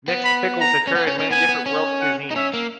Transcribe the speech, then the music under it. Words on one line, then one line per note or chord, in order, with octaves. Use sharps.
Mixed pickles occur in many different world cuisines.
B3
B5
A#5
C#4
B3
C#4
C#4
B3 G#5
B3
C#4
F#5
D#4
C#4 E5
A#3